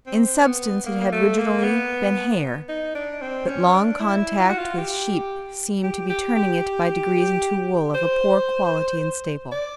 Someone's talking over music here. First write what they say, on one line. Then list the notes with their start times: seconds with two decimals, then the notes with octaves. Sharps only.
In substance it had originally been hair, but long contact with sheep seemed to be turning it by degrees into wool of a poor quality and staple.
0.06 C4
0.45 B3
0.86 A#3
1.01 A#3
1.12 A3
1.38 A#3
1.64 B3
2.69 D#4
2.95 D4
3.22 C4
3.48 C#4
3.74 D4
4.00 E4
4.39 F4
4.49 F#4
4.59 F4
4.78 G4
5.83 G4
6.10 G4
6.36 G4
7.94 C5
9.52 D5